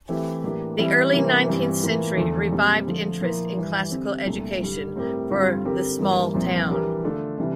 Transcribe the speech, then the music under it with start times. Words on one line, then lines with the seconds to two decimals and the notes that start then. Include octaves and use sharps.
The early nineteenth century revived interest in classical education for the small town.
0.09 E3 A3 C4 E4 G4
0.44 A2 E3 A#3 D4 G4
0.78 E3 G3 C4 E4
1.13 C3 E3 G3 A#3 D4
1.48 G2 E3 G3 C4
1.83 A2 E3 A#3 F4
2.17 E2 D3 F3 A3
2.52 A#2 G3 C4
2.87 D3 F3 A3
3.21 A#2 F3 A#3 E4
3.56 G2 E3 G3
3.91 D3 G3 C4 G4
4.26 C2 A#2 A3 D4
4.61 G2 D3 G3
4.96 A2 G3 C4 G4 A#4
5.30 G2 D3 G3 C4 F4
5.65 D3 G3 C4 G4 A#4
5.99 G2 E3 G3 A#3
6.34 C2 A#2 F3 C4
6.69 E3 G3 D4 G4 A#4
7.04 D3 A3 D4 F4 A4
7.38 C3 E3 G3 D4